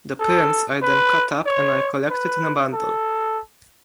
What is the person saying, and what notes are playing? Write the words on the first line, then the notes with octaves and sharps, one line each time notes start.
The prints are then cut up and are collected in a bundle.
A4
B4
C#5
B4
A4